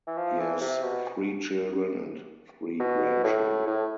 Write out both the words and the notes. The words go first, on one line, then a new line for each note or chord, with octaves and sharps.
He has three children and three grandchildren.
E3
F3
E3
C3
B2
B2
A2
A2